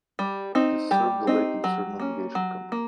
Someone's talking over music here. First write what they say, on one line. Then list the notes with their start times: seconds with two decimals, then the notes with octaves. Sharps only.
It is served the Lake Lucerne Navigation Company.
0.19 G3
0.55 C4 D#4
0.91 G3 G4
1.27 C4 D#4
1.64 F#3
2.00 A#3 C#4
2.35 F#3
2.72 A#3